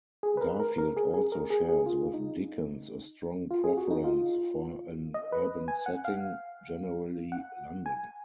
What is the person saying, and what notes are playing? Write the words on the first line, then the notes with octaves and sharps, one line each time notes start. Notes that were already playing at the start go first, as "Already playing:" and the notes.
Garfield also shares with Dickens a strong preference for an urban setting, generally London.
G#4
B4
A#4
A#4
A#4
G#4
G#4
A#4
G#4
G#4
F4
D#4
F4
G#4
F#4
D#4
F4
D#5
B4
G#5
F#5
F5
F#5
G#5